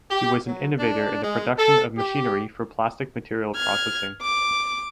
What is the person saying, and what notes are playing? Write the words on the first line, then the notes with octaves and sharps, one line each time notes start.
He was an innovator in the production of machinery for plastic material processing.
G4
F#3
D4
G#3
A4
G4
F6 G#6
D6